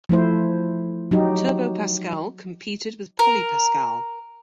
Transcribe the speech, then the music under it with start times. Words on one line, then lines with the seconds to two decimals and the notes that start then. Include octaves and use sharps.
Turbo Pascal competed with PolyPascal.
0.09 F3 A3 E4 C5
1.11 F#3 D#4 G4
3.19 A#4